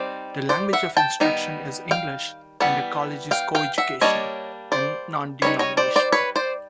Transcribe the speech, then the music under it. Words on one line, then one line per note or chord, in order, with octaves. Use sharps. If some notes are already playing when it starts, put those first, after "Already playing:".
The language of instruction is English and the College is co-educational and non-denominational.
Already playing: G3 C4 D#4 C5 D5
C5 D5
E5 F#5
G5 A5
D#3 G3 B3 D#4
F5 G5
E3 G3 B3 F#5
F5 G5
F5 G5
E5 F#5
G3 A#3 D4 C#5 D#5
C5 D5
G3 C4 D#4 B4 C#5
C#5 D#5
C5 D5
C5 D5
B4 C#5
C5 D5